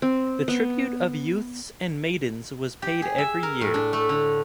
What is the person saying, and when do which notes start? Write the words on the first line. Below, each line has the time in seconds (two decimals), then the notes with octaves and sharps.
The tribute of youths and maidens was paid every year.
0.02 C4
0.48 B3
2.82 G4
3.02 G#4
3.18 E5
3.43 A#4
3.61 A2
3.74 D4
3.93 A3
4.09 D3